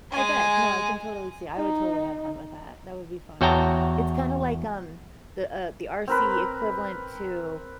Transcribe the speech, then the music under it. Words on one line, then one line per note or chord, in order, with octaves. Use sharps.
I bet, no, I can totally see, I would totally have fun with that, that would be fun. It's kinda like, um, the, uh, the RC equivalent to,
G#3 G#5
D#4
E2 F#4 C#5 G5 A5 A#5
C4 A#4 B4